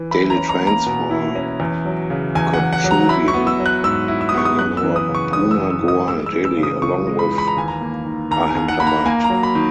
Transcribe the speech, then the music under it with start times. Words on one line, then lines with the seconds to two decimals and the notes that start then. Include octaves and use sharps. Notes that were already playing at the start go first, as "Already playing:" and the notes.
Daily trains for Kochuveli, Mangalore, Pune, Goa and Delhi along with Ahemdabad.
Already playing: E3
0.11 E4 B5
0.30 A#5
0.36 C#4
0.49 A#5
0.62 A#3
0.67 A#5
0.86 B2
1.10 E4
1.35 C#4
1.60 E2
1.85 F#3
2.10 C#3
2.35 E2 G#5
2.53 F#5
2.60 E2
2.73 F#5
2.84 F#3
2.91 A#5
3.09 E4 B5
3.28 C#6
3.34 B3
3.47 E6
3.59 F#3
3.66 F#6
3.83 G#2 E6
4.08 E4
4.21 E6
4.29 D#6
4.34 B3 C#6
4.45 D#6
4.59 F#2 F#6
4.77 E6
4.83 E3
4.96 D#6
5.08 C#3
5.15 C#6
5.32 F#2 D#6
5.51 E6
5.57 F#2
5.70 E6
5.83 E3
5.88 D#6
6.08 G#3 E6
6.26 E6
6.33 E3
6.45 E6
6.57 C#3
6.63 D#6
6.82 C#2 C#6
7.07 G#3
7.19 B5
7.31 E3
7.38 B5
7.47 A#5
7.57 D#2 G#5
7.68 A#5
7.81 A#3
8.06 D#3
8.31 D#2 A#5
8.50 G#5
8.55 D#2
8.68 F#5
8.80 A#3 B5
8.87 A#5
9.06 A#3 G#5
9.24 A#5
9.30 F#3
9.43 B5
9.55 D#3